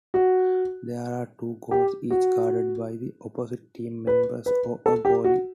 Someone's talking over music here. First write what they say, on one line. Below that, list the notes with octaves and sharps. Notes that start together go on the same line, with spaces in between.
There are two goals, each guarded by the opposite team members or a goalie.
F#4
G4
F#4
B4
B4
A4
G4
F#4